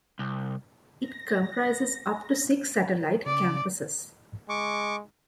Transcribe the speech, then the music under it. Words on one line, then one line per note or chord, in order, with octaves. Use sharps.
It comprises up to six satellite campuses.
C2
A#6
C#3 D5
G#3 C#6 D6